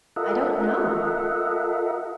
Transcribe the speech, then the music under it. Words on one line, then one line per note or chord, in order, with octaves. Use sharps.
"I don't know."
F4 A4 A#4 D#5 E5 F#5